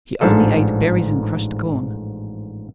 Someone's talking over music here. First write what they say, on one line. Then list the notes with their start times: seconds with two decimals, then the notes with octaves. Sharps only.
She only ate berries and crushed corn.
0.21 A1 G#2 F3 D4 A4